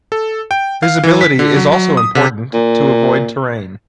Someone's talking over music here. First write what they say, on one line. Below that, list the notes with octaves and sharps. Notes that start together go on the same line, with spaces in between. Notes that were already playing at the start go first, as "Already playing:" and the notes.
Visibility is also important to avoid terrain.
A4
G5
F5
E3
B6
D3
F#3
F#3
D#6
C3
A#2